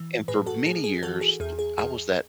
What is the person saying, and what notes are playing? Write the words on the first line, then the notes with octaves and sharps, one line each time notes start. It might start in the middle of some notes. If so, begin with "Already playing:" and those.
and for many years, d I was that
Already playing: E3
A2 G#4 B4
F#4 A4
A2 G#4
G#4
E3 F#4 A4
G#4
E2 G#4
G#4
E2 G#4